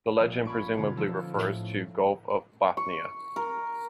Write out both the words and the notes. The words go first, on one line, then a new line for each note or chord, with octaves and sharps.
The legend presumably refers to Gulf of Bothnia.
A#1
C#4 B5 C#6 D7
B2 D3 C#4 F4
F3 D#4 A4
A2
C#6
A#4